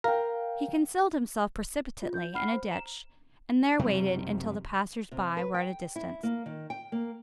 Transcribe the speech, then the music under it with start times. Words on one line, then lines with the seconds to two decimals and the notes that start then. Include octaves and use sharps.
He concealed himself precipitately in a ditch, and there waited until the passers-by were at a distance.
0.04 A#4 F5 G5
2.02 F4
2.14 G6
2.34 F#5 B5 F6 C7
2.53 C5
2.71 A#5 E7
3.79 F#1 C3 F#3 G3
5.11 C3
5.37 B4
5.54 G5
5.96 E4
6.23 A#3
6.46 D#3
6.70 G5
6.92 A#3